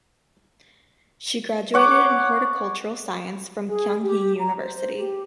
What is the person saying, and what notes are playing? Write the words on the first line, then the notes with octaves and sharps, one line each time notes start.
She graduated in Horticultural Science from Kyung Hee University.
C#5 F#5 D6
G#4
G4
A#5
C5
G4